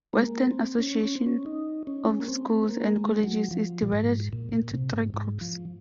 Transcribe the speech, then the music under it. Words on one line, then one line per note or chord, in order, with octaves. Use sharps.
Western Association of Schools and Colleges is divided into three groups.
G#3
A#3
C4
C#4
C#4
C4
C#4
D#4
C#4
G#3
A#3
C4
A#3
G#3
F#3
F3
A#2
G#2
A#2
A#2
C3
G#2
G#2
F3